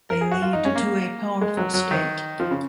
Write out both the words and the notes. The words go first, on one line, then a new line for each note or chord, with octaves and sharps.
They lead to a powerful state.
A#4
G#4
F#4
F4
D#4
C#4
A#3
G#3
F#3
F#3
D#3
F3
C#3